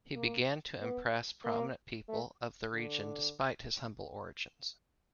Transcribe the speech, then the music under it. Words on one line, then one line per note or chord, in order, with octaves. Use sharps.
He began to impress prominent people of the region despite his humble origins.
A#3
B3
A#3
A3
D3